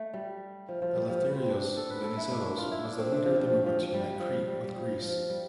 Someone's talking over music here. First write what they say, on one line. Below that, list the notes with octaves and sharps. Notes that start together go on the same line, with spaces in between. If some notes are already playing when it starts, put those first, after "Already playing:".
Eleftherios Venizelos was the leader of the movement to unite Crete with Greece.
Already playing: A3
G3
F3
F3
G3
F3
B3
C4
D4
A4
B4
A4
E4
D4
F4
E4
D4
C4
D4
F3
F3
F3
F3
G3
F3
G3
G3
F3
F3
G3